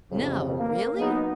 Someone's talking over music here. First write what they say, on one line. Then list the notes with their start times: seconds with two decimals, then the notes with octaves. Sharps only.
"No, really?"
0.11 A1 F2 C#3
0.58 A#3 A#4
0.98 F#3 B3 D#4